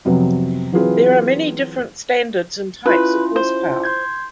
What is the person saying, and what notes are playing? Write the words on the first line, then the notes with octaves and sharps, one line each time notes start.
There are many different standards and types of horsepower.
F2 C3 F#3 B3 C4
E3 F#3 C4 F4 G#4 B4
C#4 E4 F4 B4
C5
C6 G6 G#6